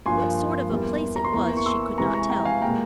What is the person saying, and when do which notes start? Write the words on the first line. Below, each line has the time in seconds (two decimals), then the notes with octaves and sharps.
What sort of a place it was she could not tell.
0.06 G2 F3 A#3 G#5 C6
0.70 E2 E3 G3 A#3
1.16 A#5
1.24 C6
1.33 E2 E3 A#3 A#5 C#6
1.57 C#6
1.66 C6 E6
1.98 C3 E3 G#3 A#5 C#6
2.14 A#5 C#6
2.30 G5 A#5
2.45 F5 G#5
2.62 A#2 G#3 G5 A#5